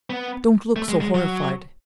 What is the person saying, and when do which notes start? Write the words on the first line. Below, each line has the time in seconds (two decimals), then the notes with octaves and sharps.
Don't look so horrified.
0.10 B3
0.76 A3
0.88 G#3
1.01 G#3
1.15 F#3